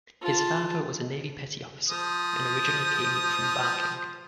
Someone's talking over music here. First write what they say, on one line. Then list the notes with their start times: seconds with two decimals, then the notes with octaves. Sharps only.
His father was a Navy petty officer, and originally came from Barking.
0.21 F4 A5
1.89 F3 D#6